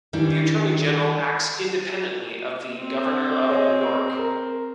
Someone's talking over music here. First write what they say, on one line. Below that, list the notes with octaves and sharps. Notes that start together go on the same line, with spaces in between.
The Attorney General acts independently of the Governor of New York.
D#3 E3 G3 D4
C4
G#4 C#5 D#5
A#4